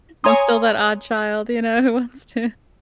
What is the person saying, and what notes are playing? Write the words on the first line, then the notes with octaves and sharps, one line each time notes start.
I'm still that odd child, you know, who wants to
C#5 G#5 A#5 C6 D#6